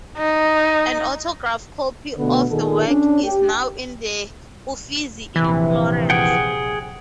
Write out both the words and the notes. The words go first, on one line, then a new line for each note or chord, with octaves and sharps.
An autograph copy of the work is now in the Uffizi in Florence.
D#4
B2 D3 A3 B3
A#2 D#3 G#4 A4
C#4 D4
G4
A#1 C3 E3
G#4 F#5 G5